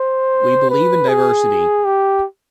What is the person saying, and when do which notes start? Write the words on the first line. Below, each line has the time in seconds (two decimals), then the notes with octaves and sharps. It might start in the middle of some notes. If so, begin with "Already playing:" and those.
We believe in diversity.
Already playing: C5
0.70 B4
1.09 G#4
1.85 G4